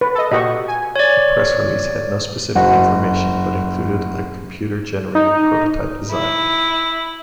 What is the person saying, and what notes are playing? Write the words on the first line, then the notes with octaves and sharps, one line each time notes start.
The press release had no specific information, but included a computer-generated prototype design.
B4
A4 D#5
A#2 F#4 G4 D#5 C#6
G#5
C#5 D5
F#1 F#4
D#4
E4